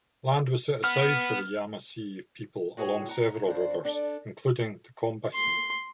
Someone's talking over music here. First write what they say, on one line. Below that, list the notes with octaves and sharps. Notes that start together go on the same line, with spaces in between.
Land was set aside for the Yemassee people along several rivers, including the Combahee.
B3 F6
A2 F#4 G#4 B4 C#5
F#5 A#5
F2 D4 C5
D4 A4
C6